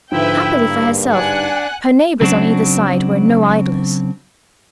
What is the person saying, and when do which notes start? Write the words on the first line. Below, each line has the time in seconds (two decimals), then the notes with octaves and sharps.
Happily for herself, her neighbors on either side were no idlers.
0.12 G#2 D3 F3 E4 B4 E5 G5
0.60 G2 A#3
1.12 D4 F#5 G#5 F#6
2.21 C#3 F#3 C4 D4 F#4